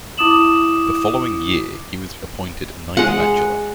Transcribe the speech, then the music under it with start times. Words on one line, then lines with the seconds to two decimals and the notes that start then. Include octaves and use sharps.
The following year he was appointed Knight Bachelor.
0.17 E4 D6 D#6 E7 F#7
2.97 G#3 F#5